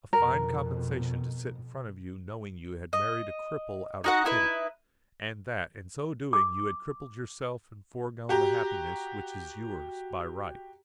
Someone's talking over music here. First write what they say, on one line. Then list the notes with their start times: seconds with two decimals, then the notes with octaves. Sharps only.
A fine compensation to sit in front of you knowing you had married a cripple out of pity, and that in so doing you had crippled yourself and foregone the happiness which is yours by right.
0.13 F2 B2 A#4
2.93 D#5
4.04 D#4 F#4 F#5
4.25 D#4 E4 B4
6.33 D6
8.29 F#4 G4 A#5